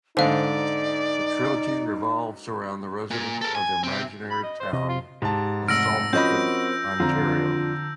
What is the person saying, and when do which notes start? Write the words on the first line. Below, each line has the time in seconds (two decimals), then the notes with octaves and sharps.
The trilogy revolves around the residents of the imaginary town of Salterton, Ontario.
0.17 G#2 D3 D#4 C5 D5 F5
3.11 A#2
3.41 A4 A#4
3.55 G#5
3.83 C3 C4
4.31 B5
4.43 D#5
4.60 C5
4.73 C3 D#5
4.88 F4
5.22 G#2 G4 A5
5.68 F1 E5 F#5 E6 F6 A#6 D7
6.13 F3 C4 C#4 F#4 A#4 D#5 B5 G6
7.00 F2 D3 D4 F4 A#5